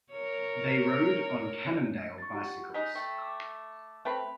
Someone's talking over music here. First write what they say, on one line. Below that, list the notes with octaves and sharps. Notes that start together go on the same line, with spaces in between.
They rode on Cannondale bicycles.
A#4 C#5
C#6 A6
F4 G4 F#5
G#3 D#4 B6
A3 G5
D6 E6
A3 C4 B4 G5 B5